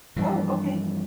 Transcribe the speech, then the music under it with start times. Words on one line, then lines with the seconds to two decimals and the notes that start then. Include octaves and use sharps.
Oh, okay.
0.16 G2 E3 F3